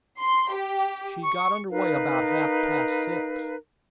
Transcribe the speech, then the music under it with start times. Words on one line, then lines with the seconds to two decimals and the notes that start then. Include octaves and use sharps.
She got under way about half-past six.
0.21 C6
0.54 G4
1.24 C#6
1.69 D#4 A#4 B4 F5